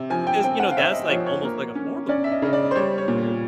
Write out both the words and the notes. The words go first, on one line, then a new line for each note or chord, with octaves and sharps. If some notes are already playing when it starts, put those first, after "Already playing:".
Because, you know, that's, like, almost, like, a form of meditation, 'cause you're
Already playing: C3
F3 G#5
G5
C4 G5
F#5
F5
C4 E5
D#5
F3 C#5
C#5
A#3
C#4
C#4 D5
E5
D#5
C#3 D#5
D5
C5
G3 C#5
C#5
A#2